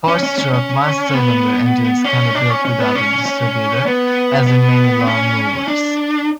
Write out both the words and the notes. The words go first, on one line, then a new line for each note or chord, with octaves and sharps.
Four-stroke one-cylinder engines can be built without a distributor, as in many lawn mowers.
C#4
C#4
C#4
C#4
B3
C#4
D4
C#4
C#4
B3
C#4
C#4
B3
B3
C#4
D4